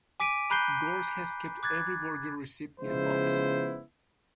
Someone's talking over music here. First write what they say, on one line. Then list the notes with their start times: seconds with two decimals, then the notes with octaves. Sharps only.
Gorske has kept every burger receipt in a box.
0.20 G#5 D6 B6 D7 D#7
0.50 A#5 B5 F#6 G6 C7 G7
1.63 D6 F#6 G#6 A6
2.81 C#3 F3 G#3 B3 E4 C5